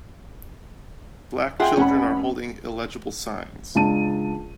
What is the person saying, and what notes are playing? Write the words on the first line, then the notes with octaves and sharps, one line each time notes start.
Black children are holding illegible signs.
F4 G#4 E5 F#5 G5
F1 C#4 F#5 B5
C#2 D4 A5 D#7